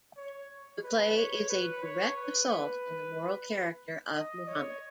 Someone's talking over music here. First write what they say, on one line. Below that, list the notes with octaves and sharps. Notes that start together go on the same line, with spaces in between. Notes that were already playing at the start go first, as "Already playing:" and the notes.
The play is a direct assault on the moral character of Muhammad.
C#5
B4
C#5
B4
C#5
B4
B4
D#5
C#5